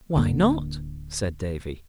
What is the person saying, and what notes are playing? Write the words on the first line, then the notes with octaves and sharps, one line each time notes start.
"Why not?" said Davy.
D1 D3 A#3